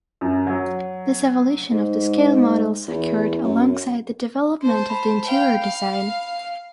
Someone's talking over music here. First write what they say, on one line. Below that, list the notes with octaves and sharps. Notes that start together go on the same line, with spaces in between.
This evolution of the scale models occurred alongside the development of the interior design.
F#2
F#3
G#2
E2
F#2
C5 A5
B5
F5 G5
F5